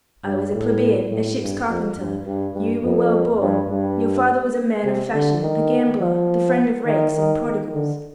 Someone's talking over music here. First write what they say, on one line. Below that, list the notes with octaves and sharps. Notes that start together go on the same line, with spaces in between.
I was a plebeian, a ship's carpenter; you were well born, your father was a man of fashion, a gambler, the friend of rakes and prodigals.
G2
A2
A2
G2
F2
G2
G2
G2
F2
G2
G2
C3
D3
D#3
F3
D#3
D#3
D#3
D3